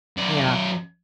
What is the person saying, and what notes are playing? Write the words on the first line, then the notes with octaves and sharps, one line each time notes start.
there, you know.
F#2 D5